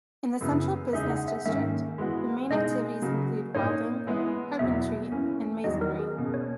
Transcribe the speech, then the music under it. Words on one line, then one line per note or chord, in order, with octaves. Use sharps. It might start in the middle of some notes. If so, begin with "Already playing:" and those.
In the central business district, the main activities include welding, carpentry and masonry.
F#2 C#3 E3 B3
E2 C#3 G#3 D#4 G#4 E5
F#5
E5
G#2 D#3 A#3 C#4 E5
E3 G#3 B3 F#4
B2 G#3 D#4 G#4 D#5
C#3 F#3 A#3
A#2 A#3 D#4 C#5
E3 G#3 B3 E4 G#4
E2 B2 F#3 A#3 E4 E5
E3 A#3 C#4
E2 D#3 F#3 D#5
A#4
G#4
B2 A#3 C#4
C#5